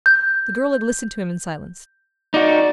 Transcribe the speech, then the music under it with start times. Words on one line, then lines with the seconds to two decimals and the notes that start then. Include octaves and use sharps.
The girl had listened to him in silence.
0.06 G6
2.34 D#4 F#4 D5